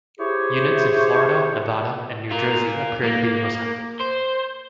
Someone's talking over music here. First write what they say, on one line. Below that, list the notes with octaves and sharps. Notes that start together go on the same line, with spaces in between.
Units in Florida, Nevada, and New Jersey appear to be the most active.
E4 G4 G#4 C5 C#5
F4 A#4
A#3
C5